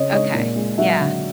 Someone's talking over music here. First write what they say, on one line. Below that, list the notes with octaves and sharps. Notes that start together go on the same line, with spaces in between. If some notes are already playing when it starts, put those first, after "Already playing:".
Okay. Yeah.
Already playing: C#3 C#5 D#5
G#3 C#5 D#5
A#2
G#3
F#3 E5 F#5
D3